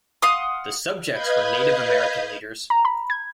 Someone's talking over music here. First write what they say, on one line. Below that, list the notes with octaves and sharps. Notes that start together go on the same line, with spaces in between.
The subjects were Native American leaders.
F5 F#5 C6 D#6
B4 D#5 F5 B5 G6 G#6
A#5
B5
G#6